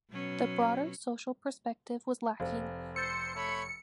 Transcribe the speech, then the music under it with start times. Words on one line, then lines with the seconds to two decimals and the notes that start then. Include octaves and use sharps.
The broader social perspective was lacking.
0.11 B2 F#3 C#4
2.40 F1 A4 C5 F5
2.96 C5 E6 A6 C#7
3.36 A3 C#5 B5